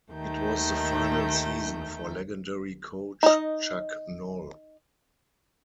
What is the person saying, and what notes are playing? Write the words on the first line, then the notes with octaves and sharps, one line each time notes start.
It was the final season for legendary coach Chuck Noll.
D#2 D#3 A3 G6
D#4 D#5